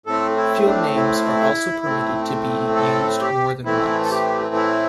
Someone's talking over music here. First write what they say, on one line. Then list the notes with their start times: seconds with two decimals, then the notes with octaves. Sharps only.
Field names are also permitted to be used more than once.
0.06 A2 A3 C4 A4
0.36 E4
0.66 D4
0.96 E4
1.85 A2 A3 C4
2.76 A4
3.21 G4
3.65 A2 E3 A3 C4 E4
4.05 A4
4.11 G4
4.55 E4